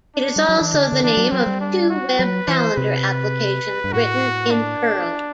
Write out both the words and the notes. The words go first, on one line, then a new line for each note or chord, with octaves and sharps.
It is also the name of two web calendar applications written in Perl.
D4
G3
F#3
E3
D3
D3
E3 D4
F#3
F#3 C4
G3
D4
F#4
F#3 B4
E3 C5
C3 B4
G2
A2 F#4
D4